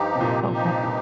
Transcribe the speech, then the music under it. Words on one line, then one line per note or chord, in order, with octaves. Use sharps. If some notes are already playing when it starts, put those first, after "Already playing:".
Oh, really?
Already playing: G2 F3 D#4 G4
C3
A#2
G2 F3 D#4 G4
A#2